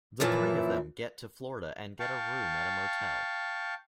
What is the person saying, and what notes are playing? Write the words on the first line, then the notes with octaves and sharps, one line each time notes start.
The three of them get to Florida and get a room at a motel.
F#2 A#2 E3 F3 E4
F5 G5 A5 C#6